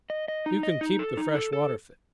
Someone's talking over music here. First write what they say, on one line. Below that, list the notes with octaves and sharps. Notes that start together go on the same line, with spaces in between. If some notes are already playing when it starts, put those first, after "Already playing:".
"You can keep the freshwater fish!"
D#5
D#5
D#4
D#5
D#4
A4
D#4
A4
A4